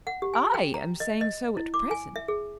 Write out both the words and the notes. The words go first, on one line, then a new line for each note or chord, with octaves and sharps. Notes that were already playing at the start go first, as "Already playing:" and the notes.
"I am saying so at present."
F#5
G4
G#5
G5
A#5
D#5
D#5
E4
D6
G#5
E5
G#4